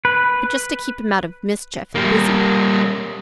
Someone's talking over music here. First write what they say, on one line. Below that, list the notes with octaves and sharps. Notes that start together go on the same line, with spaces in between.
But just to keep him out of mischief, and busy.
B4
G3 A#3